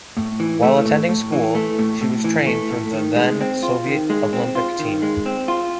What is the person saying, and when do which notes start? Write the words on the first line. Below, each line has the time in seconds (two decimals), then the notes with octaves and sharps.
While attending school she was trained for the then Soviet Olympic team.
0.17 A2
0.40 E3
0.63 A3
0.85 A2
1.09 A2
1.32 E3
1.55 A3
1.79 A2
2.01 A2
2.24 E3
2.47 A3
2.71 A2
2.93 D#3
3.16 G#3
3.41 C4
3.63 F4
3.86 D#3
4.10 G#3
4.33 C4
4.55 F4
4.79 D#3
5.02 G#3
5.26 C4
5.48 F4